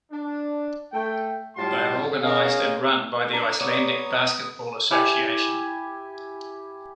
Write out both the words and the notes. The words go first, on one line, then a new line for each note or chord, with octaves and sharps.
They are organized and run by the Icelandic Basketball Association.
D4
A3 G5
A2 F#3 G3 F4 A5 C6
A#3 C#4 G#4 D#5 F5
D4 A#5
B3 C#5 D5 D#6
E4 G4 G#5